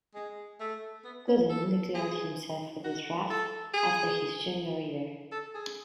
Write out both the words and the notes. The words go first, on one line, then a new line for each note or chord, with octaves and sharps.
Gooden declared himself for the draft after his junior year.
G#3
A3
B3
C#4
A4
G#4
F#4
A4
G#4
A4
G#4